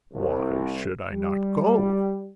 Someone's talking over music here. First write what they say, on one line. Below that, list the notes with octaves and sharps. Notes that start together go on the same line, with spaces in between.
"Why should I not go?"
C2
G3